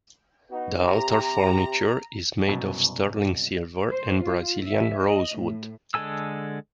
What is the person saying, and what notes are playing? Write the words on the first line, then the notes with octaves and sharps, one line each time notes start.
The altar furniture is made of sterling silver and Brazilian rosewood.
B3 D#4 F#4
C3 G4 A#5
C2 F#2 B2
C5
F4
E5
D#5
A2
D3 G#3 A4 G#5 E6